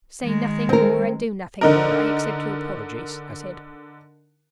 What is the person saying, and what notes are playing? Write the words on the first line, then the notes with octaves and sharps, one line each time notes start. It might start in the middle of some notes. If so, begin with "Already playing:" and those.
"Say nothing more, and do nothing more; I accept your apologies," I said.
D#3 G#3
C4 A#4
D3 D#4 A#4